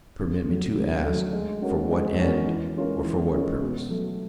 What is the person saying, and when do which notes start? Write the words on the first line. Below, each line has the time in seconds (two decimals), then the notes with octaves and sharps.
Permit me to ask, for what end, or for what purpose?
0.19 C#3
0.48 F#3 A3
0.76 C#3
1.04 F#3 A3
1.33 G#3
1.62 C#4 F#4 A#4
1.90 G#3
2.19 C#4 F#4 A#4
2.47 E3
2.77 G#3 C#4 F4 A#4
3.04 E3
3.34 G#3 C#4 F4 A#4
3.62 B2
3.90 F#3 A3